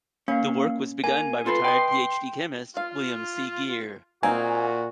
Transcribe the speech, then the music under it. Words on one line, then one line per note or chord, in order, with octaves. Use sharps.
The work was begun by retired Ph.D chemist, William C. Geer.
A#3 C#4 F5
A#3 G#5
F4 A4 B4 C6
B4 D#5 G5
F4 F5
A#2 A#3 C4 D#4 F#4 G#5